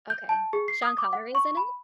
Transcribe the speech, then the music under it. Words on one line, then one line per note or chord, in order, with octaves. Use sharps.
Okay, Sean Connery’s in it?
G6
A5
G#4
C7
D#6
D6
F#5
C#6
B5